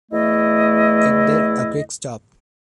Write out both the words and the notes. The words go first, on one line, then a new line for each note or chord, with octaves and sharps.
It did a quick stop.
E2 A3 E4 D#5